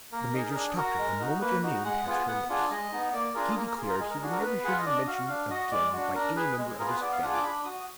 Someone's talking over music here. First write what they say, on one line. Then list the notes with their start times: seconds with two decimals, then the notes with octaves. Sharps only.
The major stopped her the moment your name passed her lips: he declared he would never hear you mentioned again by any member of his family.
0.12 A#3 A#4
0.33 D#4 G#4
0.51 A#4
0.55 D4 G#4
0.76 F#4 A#4
0.98 G#3
1.20 D#4 F#4
1.41 A#3 B4
1.63 D#4 F#4
1.84 G#3 F#5
2.06 B3 F4 G#4
2.27 B3 F#5
2.49 D4 F4 G#4
2.70 G#3 D#5
2.92 B3 D#4
3.13 A#3 D5
3.34 D4 F4 G#4 A#4
3.56 A#3 A#4
3.67 A#4
3.78 G#4
3.82 F4
3.88 A#4
4.00 G#3 G#4
4.10 A#4
4.21 D4 F#4 G#4
4.32 A#4
4.42 B3 B4
4.64 G#4 F#5
4.67 F4 F5
4.78 D#5
4.86 D4 D5
4.96 D#5
5.07 F#4 F5
5.28 D4 F5
5.50 F#4 D#5
5.71 G#3 D5
5.93 D4 F#4
6.14 D4 A#4
6.36 G#4 B4
6.58 G#3
6.68 G#4
6.79 B3 F4 G#4 A#4
6.90 B4
7.00 B3 D5
7.12 F5
7.22 D4 F4 G#4 F#5
7.33 D6
7.43 D4 B5
7.65 F#4 D#6